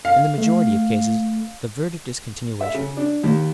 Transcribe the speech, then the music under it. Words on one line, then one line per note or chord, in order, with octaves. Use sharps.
In the majority of cases the verdict is continuation.
F5
A3
E5
C#3
D4
D#2